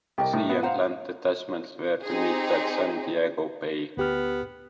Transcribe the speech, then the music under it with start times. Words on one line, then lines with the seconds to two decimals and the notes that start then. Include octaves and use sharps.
Sea and land detachments were to meet at San Diego Bay.
0.18 C2 G4 A#4 D#5
0.33 A2
0.49 B3 E5
0.63 C5 F5 F#5 A#5
2.04 C4 D#4 G4 G#4
3.97 D2 B3 G4 F6